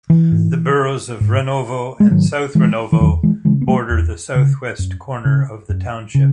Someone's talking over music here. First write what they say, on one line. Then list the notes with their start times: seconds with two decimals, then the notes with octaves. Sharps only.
The boroughs of Renovo and South Renovo border the southwest corner of the township.
0.10 E3
0.32 G#2
1.21 G#2
2.00 G#3
2.11 G#2 D#3 F#3
2.55 E3 G#3
2.92 E3
3.00 E2 D#3 F#3
3.23 E3 G#3
3.45 C#3 E3 G#3
3.62 B3
3.68 F#3 A3
3.90 E2
4.35 C#3
4.79 F#2
5.25 C#3
5.69 F#2
6.15 C#3